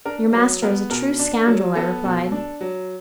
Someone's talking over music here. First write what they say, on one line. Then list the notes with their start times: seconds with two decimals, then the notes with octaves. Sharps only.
'Your master is a true scoundrel!' I replied.
0.05 D4 A#4
0.34 F#3 B4
0.62 B3 A#4
0.90 B2 A#4
1.19 D4
1.47 F#3
1.75 B3 A4
2.04 B2
2.32 D4
2.61 F#3